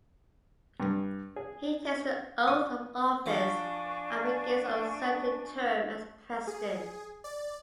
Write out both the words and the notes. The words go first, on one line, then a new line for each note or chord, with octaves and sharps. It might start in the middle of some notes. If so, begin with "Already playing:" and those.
He takes the oath of office and begins an uncertain term as President.
G2
G#4
D#6
F3 D4 G#5 C#6
G#4
D5